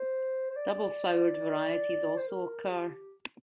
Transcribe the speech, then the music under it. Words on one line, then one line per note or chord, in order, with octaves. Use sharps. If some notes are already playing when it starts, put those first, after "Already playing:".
Double flowered varieties also occur.
Already playing: C5
C5
D5
C5
A#4
G4